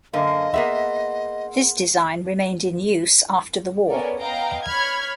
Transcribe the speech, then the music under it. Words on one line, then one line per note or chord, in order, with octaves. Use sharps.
This design remained in use after the war.
F#2 D3 A#3 D#5 F5
A#3 B3 G#4 E5 F#5 C6
B3 C#4 A4 A#4 D5
B3 D#5 F5 G5 A#5
C#5 B5 F6 G#6